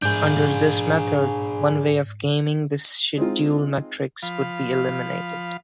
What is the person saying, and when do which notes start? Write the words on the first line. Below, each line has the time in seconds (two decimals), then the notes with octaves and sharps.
Under this method, one way of gaming the schedule metrics would be eliminated.
0.02 G#2 D4 G#4 G6
3.17 G#3 C4 D#4 F4
4.23 F3 F5 B5